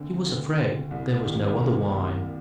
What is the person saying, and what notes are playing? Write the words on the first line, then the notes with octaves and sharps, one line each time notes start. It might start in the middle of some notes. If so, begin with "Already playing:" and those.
He was afraid there was no other wine.
Already playing: D2 D3 C4
D2
D3
C2
C4
C3 D#3
A#3
C2 A#3
C3 D#3